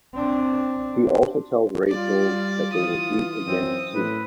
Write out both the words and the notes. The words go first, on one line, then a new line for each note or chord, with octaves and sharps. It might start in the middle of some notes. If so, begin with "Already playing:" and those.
He also tells Rachel that they will meet again soon.
C4 D4
G3 F4 D5
E3 F4 D#6
F#2 C4
A2 B4